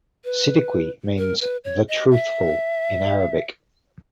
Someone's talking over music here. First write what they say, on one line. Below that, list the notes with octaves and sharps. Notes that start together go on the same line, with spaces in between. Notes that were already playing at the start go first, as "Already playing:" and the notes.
Siddiqui means "The Truthful" in Arabic.
B4
A#4
B4
C#5
D#5
E5